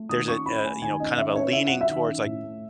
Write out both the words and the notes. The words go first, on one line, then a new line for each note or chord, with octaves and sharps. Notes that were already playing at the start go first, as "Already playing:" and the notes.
there's a a, you know, kind of a leaning towards, like
Already playing: A3
D#3 D#6
C#4 C#6
E4 B5
A3 G#5
D#3 G#5
C#4 D#5
D#3 E5
C#4 C#5
E4 E5
F#3 F#5
E5
D#3
C#4
A2
A3